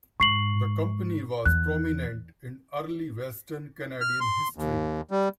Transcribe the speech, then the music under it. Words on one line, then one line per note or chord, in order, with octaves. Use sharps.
The company was prominent in early Western Canadian history.
G#2 C#6 C7 F#7
E2 F#6
F6
C6
D#2
G3